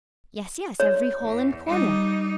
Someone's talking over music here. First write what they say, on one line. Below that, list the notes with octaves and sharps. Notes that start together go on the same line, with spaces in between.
"Yes, yes, every hole and corner."
C#5
E2
G3 D#4